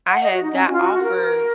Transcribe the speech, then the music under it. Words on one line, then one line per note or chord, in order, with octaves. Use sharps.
I had got offered
F#5
D#5
F#4
D#4
C#4
F#4
F4
F#4
F#4
A#4